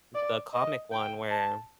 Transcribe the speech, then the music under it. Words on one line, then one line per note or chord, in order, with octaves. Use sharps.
the comic one where,
D5
D#5
G5
A5